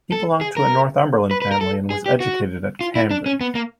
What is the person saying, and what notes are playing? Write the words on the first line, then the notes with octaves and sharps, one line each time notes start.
He belonged to a Northumberland family and was educated at Cambridge.
A4
G#4
A#4
B4
B4
A#4
A4
G#4
G4
F#4
F4
E4
D4
C#4
B3
A#3